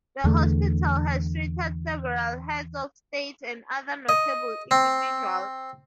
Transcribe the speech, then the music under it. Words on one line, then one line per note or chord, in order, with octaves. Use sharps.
The hospital has treated several heads of state and other notable individuals.
E2 D3 A3
D#5
C4